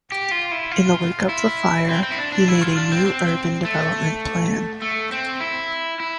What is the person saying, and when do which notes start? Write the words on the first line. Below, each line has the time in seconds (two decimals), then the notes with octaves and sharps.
In the wake of the fire, he made a new urban development plan.
0.12 G4
0.31 F4
0.51 E4
0.71 F4
1.29 E4
1.89 C4
2.03 C4
2.11 E4
2.18 D4
2.32 D4
2.48 E4
2.61 F4
2.77 D4
2.92 C4
3.06 C4
3.65 A3
4.82 A3
5.12 C4
5.41 E4
6.00 E4